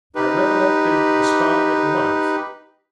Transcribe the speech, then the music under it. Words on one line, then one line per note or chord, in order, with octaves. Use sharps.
I recollected the spot at once.
D#4 G4 B4